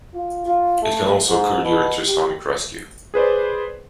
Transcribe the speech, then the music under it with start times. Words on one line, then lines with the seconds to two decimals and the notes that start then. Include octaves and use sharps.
It can also occur during trisomic rescue.
0.14 F4
0.46 F4
0.82 A3
1.28 G#2
1.63 B2
2.07 G4
3.14 G#4 B4 C5 D5